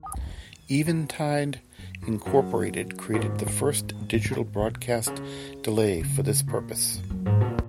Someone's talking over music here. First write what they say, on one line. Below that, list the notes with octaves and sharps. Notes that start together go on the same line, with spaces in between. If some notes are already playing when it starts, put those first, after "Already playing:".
Eventide, Incorporated created the first digital broadcast delay for this purpose.
Already playing: D#3
B2
F#2
E2
F#2
A#2
G#2
G#2
B2
C#3
C#3
A#2
F#2
F#2
G#2
B2
A#2